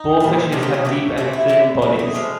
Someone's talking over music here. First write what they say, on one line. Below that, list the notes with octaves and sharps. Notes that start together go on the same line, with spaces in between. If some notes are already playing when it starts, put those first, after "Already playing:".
Boarfishes have deep and thin bodies.
Already playing: D#4
A#2 G3
C3 D#3 F#3 A3 D4
G4
G#4
B2 F#3 A3 G4
C3 E3 A3 F#4
E4
D3 G3 E4
A2 F#3 A3 F#4
G#4
D3 F3 G#3